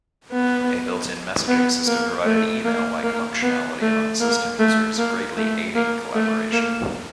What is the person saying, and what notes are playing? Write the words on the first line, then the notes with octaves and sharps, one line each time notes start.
A built-in messaging system provided email-like functionality among system users, greatly aiding collaboration.
B3
B3
A#3
A3
A#3
A#3
B3
A3
A#3
A3
A#3
A3
A#3
A3
A#3